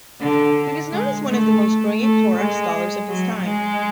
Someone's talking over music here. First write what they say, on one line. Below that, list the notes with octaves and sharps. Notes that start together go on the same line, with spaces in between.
He was known as one of the most brilliant Torah scholars of his time.
D3
G#3
A3
A3
G#3
F#3
G#3